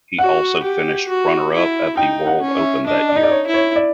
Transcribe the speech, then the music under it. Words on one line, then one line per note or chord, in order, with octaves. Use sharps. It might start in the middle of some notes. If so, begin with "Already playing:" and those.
He also finished runner-up at the World Open that year.
F#4 F#5
G4
F#4
E4
D#4 G5
F#5
C#4
E5
D4 D#5
D5
D#4 D#5
D5
C#5
E4
C#5
D5